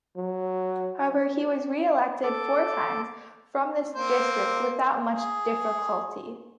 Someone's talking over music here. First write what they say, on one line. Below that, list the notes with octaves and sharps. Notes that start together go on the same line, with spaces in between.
However, he was reelected four times from this district without much difficulty.
F#3
A4 D6
A#3 C4 C5
G#4